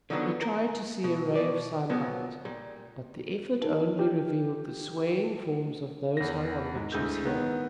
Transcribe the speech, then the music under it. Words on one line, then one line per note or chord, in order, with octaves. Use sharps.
He tried to see a ray of sunlight; but the effort only revealed the swaying forms of those hung on Witches' Hill.
D3 D#3 F3 F#3 B3 D4
A#4
B2
B2 D5
B2 F3 F#3 A#3 B3
A#2 G3
D#4 A#4 G#5
E4 G4 B4 C#5
E2 A#6
G#2
D2 G#3 E4 G6
D#3 B3